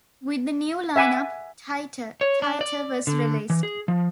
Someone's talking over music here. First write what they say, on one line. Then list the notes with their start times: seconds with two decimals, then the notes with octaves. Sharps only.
With the new line-up, "Tighter, Tighter" was released.
0.96 E5 F#5 G#5 B5 D6
2.21 C#5
2.42 D4
2.61 D5
3.07 D3
3.50 E3
3.63 G#4
3.88 F3